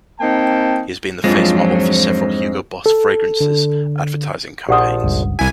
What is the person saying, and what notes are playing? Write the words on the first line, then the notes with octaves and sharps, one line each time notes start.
He has been the face model for several Hugo Boss fragrances advertising campaigns.
A#3 C4 D#4 G5 A5
F2 G#2 F3 F#3 G#3 D4 F4
C5
A4
D3
A#1 F3 G4 F#5 D#6
G1 C#2 G2
C2 E4 G#5